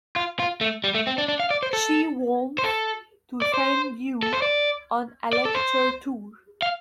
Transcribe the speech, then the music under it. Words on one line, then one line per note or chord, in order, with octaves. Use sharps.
She wants to send you on a lecture tour.
F4
F4
A3
G3
A3
C4
D4
D4
F5
D5
C5
A4
C5
A4
D5
C5
A4
C5
D5
D5
A4
C5
F5